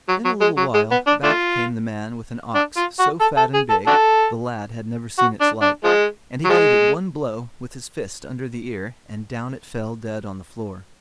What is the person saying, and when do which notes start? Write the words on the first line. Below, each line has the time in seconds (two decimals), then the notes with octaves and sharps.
In a little while back came the man with an ox so fat and big, the lad had never seen its like, and he gave it one blow with his fist under the ear, and down it fell dead on the floor.
0.09 F#3
0.25 F#3
0.41 G#3
0.57 F#3
0.74 G#3
0.91 B3
1.07 D4
1.24 A3 D4 F4
2.55 D4
2.77 F4
2.99 F#4
3.21 A4
3.37 A4
3.54 G#4
3.70 A4
3.87 D4 F#4 A4
5.18 F#4
5.41 D4
5.62 D4
5.84 F3 G#3
6.45 F#3
6.50 F3 G#3